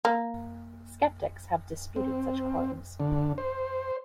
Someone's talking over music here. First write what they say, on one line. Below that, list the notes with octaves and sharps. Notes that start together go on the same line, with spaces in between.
Skeptics have disputed such claims.
A#3
C4
D3
C5